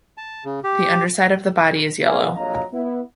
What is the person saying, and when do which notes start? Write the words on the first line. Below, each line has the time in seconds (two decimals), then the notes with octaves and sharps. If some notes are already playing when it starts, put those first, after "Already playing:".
The underside of the body is yellow.
0.17 A5
0.45 C#3
0.64 G4
2.07 G#4 A#4 B4 F5 F#5 G#5
2.36 A#1 F2 F#3 D#5 F5 A#5
2.73 B3 E4